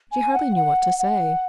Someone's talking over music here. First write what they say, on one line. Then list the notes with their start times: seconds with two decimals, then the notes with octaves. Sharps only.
She hardly knew what to say.
0.12 G#5
0.33 F#5
0.56 F#5
0.99 F#5